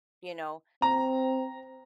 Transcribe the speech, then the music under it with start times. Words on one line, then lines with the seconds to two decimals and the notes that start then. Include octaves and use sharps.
You know?
0.82 C4 A#5